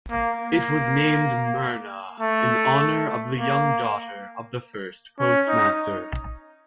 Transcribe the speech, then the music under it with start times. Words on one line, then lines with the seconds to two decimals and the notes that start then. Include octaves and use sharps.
It was named Merna in honor of the young daughter of the first postmaster.
0.11 A#3
0.41 A#3
2.20 A3
3.39 A#3
5.19 C#4
5.48 D#4